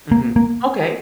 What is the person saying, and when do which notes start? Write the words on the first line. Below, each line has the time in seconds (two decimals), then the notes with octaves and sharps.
Mhm, okay.
0.11 A#3
0.36 A#3